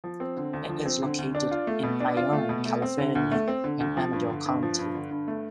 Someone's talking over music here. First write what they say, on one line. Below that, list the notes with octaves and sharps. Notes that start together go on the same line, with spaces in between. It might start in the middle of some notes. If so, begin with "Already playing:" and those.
It is located in Ione, California, in Amador County.
F3
C4
D3
D2
F3
C4
D3
D2
D4
F4
A3
B2
D4
F4
A3
B2
A3
C4
D3
D2
A3
C4
D3
D2
F3
G2
D3
G2
F3
G2
D3
G2
A3